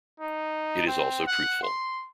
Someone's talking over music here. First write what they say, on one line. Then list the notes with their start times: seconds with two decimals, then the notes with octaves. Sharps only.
It is also truthful.
0.20 D#4
0.87 C4
1.27 F#5
1.63 C6